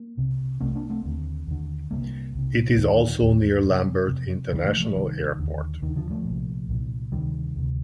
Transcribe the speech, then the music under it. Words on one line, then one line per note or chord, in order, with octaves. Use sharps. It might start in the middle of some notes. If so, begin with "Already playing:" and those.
It is also near Lambert International Airport.
Already playing: A#3
C2 C3
C2 C3 A3 C4
A#3 D4
A3 C4
D#2 D3
D#2 D3
C2 C3 G3 A#3
C2 C3
D#2 D3 D#3
D#2 D3
F2 C3
F2 C3
C2 C3 D#3 G3
F3 A3
F3 A3
C2 C3 D#3 G3
D#2 D3
D#2 D3 D#3
D3 F3
F3 A3
A#2
C2
C2 A#2
D2 C3 D#3 G3
D2 C3